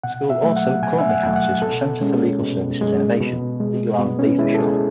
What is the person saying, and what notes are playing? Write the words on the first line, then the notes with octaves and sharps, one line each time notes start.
The school also currently houses the Center for Legal Services Innovation--LegalRnD for short.
B2 F#5
E5
F#3 A3
F#5
B2 G#5
E5
F#5
F#3 A3
F#5
B2 A4
G#3 C#4
B2
G#3
B2
G#3
B2 B3
C#4
G#3 E4
A4
G#4